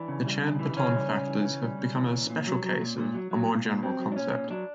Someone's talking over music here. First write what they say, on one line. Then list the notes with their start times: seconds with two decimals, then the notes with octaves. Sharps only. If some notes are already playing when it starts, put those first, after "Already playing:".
The Chan-Paton factors have become a special case of a more general concept.
Already playing: E3 D4
0.08 C#3
0.26 G3
0.43 C#3
0.59 E3
0.77 C#3 C#4
0.93 G3
1.11 C#3
1.28 E3
1.44 C#3
1.62 G3
1.79 C#3
1.96 E3
2.12 A#2
2.30 A#2
2.47 F#3
2.64 F#3
2.80 A#2
2.98 A#2
3.14 F#3
3.31 F#3
3.48 A#2
3.65 A#2
3.83 F#3 C4
3.99 F#3
4.12 D4
4.16 A#2 C#4
4.34 A#2
4.50 F#3 D4